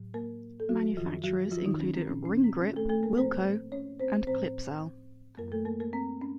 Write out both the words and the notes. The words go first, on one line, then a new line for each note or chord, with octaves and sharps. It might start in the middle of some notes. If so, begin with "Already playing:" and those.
Manufacturers included Ring Grip, Wilco and Clipsal.
Already playing: A2 F#3
A#3 A#4
A4
F#3 F#4
F#2 D#3 F3 F#3 F4
F#3 F#4
F3 F4
D#3 D#4
C#4
C4
A#2 F3 C#4
C#4
C4
C#4
A3 A4
A3 A4
A#3 A#4
A2 F3 C4 C5
C#4 C#5
C4 C5
A2 F3 C4 C5
F#2 D#3 F#3 A#3 A#4
A3 A4
A#3 A#4
A#3 A#4
C4
C#4